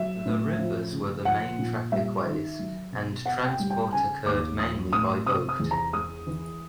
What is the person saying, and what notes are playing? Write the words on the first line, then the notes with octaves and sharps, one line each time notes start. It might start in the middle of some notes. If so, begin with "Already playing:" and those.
The rivers were the main traffic ways and transport occurred mainly by boat.
Already playing: F#3 E5
A2
F3
C#3
F3 F#5
A#2
G3 E5
D#3
F#3
B2
B3 F#5
G5
G3
G5
C#3 G#5
D#2 D6
F3 D#6
A2 D#6
C3 D#6
D#6
E2
A#5
G#3 D#6
E3